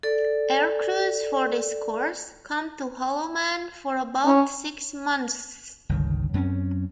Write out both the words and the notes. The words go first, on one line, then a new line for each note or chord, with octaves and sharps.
Aircrews for this course come to Holloman for about six months.
A4 D5
C#4
G1 C#2 D#3
F#2 C4 C#4